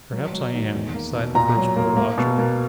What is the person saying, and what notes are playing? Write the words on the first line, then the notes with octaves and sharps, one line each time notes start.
Perhaps I am,' sighed the first-floor lodger.
F#3
F#3
D#3
E2
A#3
B2
A#2 A#5
F#3
A#3
A#3
B2
A#3